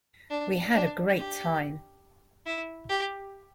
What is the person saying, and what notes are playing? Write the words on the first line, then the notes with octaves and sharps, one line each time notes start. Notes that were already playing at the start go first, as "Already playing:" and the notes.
We had a great time.
D4
D4
G4
E4
G4